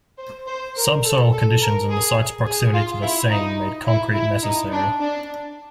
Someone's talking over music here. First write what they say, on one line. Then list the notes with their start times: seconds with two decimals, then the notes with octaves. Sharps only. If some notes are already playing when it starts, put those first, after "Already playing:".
Subsoil conditions and the site's proximity to the Seine made concrete necessary.
0.19 C5
0.47 C5
0.76 A#4
1.04 A4
1.32 A4
1.61 A#4
1.89 G#4
2.46 G#4
2.73 F4
3.02 E4
3.31 D#4
3.87 E4
4.15 E4
4.43 D#4
4.72 D4
5.00 D4